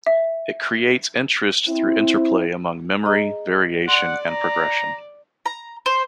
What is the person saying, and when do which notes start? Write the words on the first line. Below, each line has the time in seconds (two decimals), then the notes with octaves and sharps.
It creates interest through interplay among "memory, variation, and progression".
0.06 E5
1.68 C4 E4
3.05 G#4 D#5 A#5
3.88 D5 F#5 C6
4.28 A#5
5.46 A#5
5.86 C5